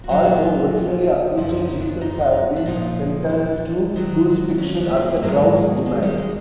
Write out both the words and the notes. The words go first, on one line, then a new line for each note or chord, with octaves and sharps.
Although originally acquitted, Jesus has been sentenced to crucifixion at the crowd's demand.
F#4
A#2 F#3 F4
F#2 D3 F3 E4
D#4
D4
D#4
D4
A#2 F3 D#4
D4
G#2 D#3 F#3
D4
C#4
B3
A3
A#3
A3
G#2 D#3 F#3 G#3
G#3
G3
G#3